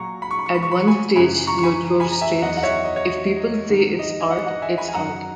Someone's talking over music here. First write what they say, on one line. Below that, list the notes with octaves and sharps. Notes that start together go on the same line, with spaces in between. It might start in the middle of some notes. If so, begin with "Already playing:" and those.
At one stage Lochore states, "if people say it's art, it's art".
Already playing: A#2 F#3 A#5 C#6
B5
C#6
B5
C#6
B5
C#6
B5
C#6
G#5 B5
F#2 C#3 E3 G#5 B5
A#5 C#6
C#6
G#5 B5
G#5 B5
A#5
E5 G#5
E2 D#3 F#3 D#5 F#5
F#5
C#5 E5
D#5
C#5
D#5
D#5
G#2 D#3 F#3
D#5
G#5
D#5 F#5
D#5 F#5
E5 G#5
G#5 B5
G#5
F#2 D#3 F#3 F#5 A#5